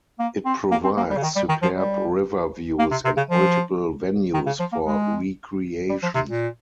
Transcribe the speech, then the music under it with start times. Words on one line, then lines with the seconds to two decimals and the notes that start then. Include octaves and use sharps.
It provides superb river views and multiple venues for recreation.
0.19 A#3
0.45 C4
0.71 A#3
0.84 C4
0.97 A#3
1.10 G3
1.17 C#3
1.23 D#3
1.36 G3
1.49 D#3
1.62 F3
1.75 G3
2.79 A#3
2.91 C3
3.05 C3
3.17 C#3
3.30 F3
4.34 D#3
4.46 C#3
4.59 F3
4.72 A#3
4.85 G#3
5.89 G3
6.03 F3
6.15 C3
6.28 A#2